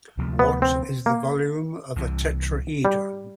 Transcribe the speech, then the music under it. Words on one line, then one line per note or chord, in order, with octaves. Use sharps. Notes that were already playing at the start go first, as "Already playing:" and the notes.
What is the volume of a tetrahedron?
D2 C3 F3 A3
B3
C4
A#3
C2 C3 E3
G3